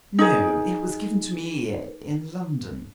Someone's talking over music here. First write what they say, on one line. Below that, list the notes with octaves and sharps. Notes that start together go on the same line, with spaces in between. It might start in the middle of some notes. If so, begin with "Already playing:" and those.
"No, it was given to me in London."
D#4 G#4